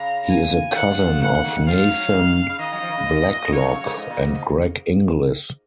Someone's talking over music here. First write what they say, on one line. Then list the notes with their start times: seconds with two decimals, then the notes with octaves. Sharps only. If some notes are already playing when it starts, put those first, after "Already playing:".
He is a cousin of Nathan Blacklock and Greg Inglis.
Already playing: C#3 A#5
0.30 G#5
0.76 D#3 F#5
0.91 F3
1.06 F3
1.22 D#3 F#5
1.33 C#3
1.44 D#3
1.67 F3 F5
1.91 F#3
2.14 D#3
2.49 C#3
2.59 D#3 D#5
2.72 F#3
2.81 F3
2.89 D#3
2.97 C#3
3.05 B2
3.28 A#2
3.51 A#2 C#5
3.62 G#2
3.73 F#2
3.84 G#2
3.97 G#2 D#5
4.10 A#2
4.21 G#2